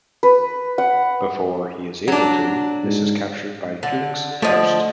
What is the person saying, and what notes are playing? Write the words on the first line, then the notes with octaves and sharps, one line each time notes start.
Before he is able to, his is captured by Felix Faust.
B4
F#5
F#3 D4
G#2
D3
D3 F3 A3 D#5